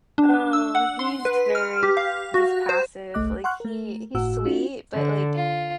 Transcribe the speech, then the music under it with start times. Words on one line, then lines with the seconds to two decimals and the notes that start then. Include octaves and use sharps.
So, he's very just passive, like, he he's sweet, but, like,
0.18 D4
0.53 E6
0.75 F#5
0.99 C6
1.25 B4
1.55 F6
1.83 G4
1.97 F5
2.34 F#4
2.69 C5
3.14 G1 C2 A3 D#5 D6 F#6
3.44 F#5 C6 C#6 F6 F#6
3.60 A3 A#4
4.15 G1 A2 F#4 F#5 E6
4.45 C#4 D#4 F4 F#4
4.94 D3
5.35 F4